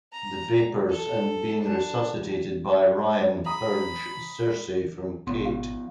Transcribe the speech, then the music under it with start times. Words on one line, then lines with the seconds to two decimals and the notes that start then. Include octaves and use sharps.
The vapors and being resuscitated by Ryan purge "Circe" from Kate.
0.12 A#5
0.89 A4
1.60 D4
3.46 A#5 B5 D#6
5.27 G#1 B2 F3 B3 C6
5.45 F5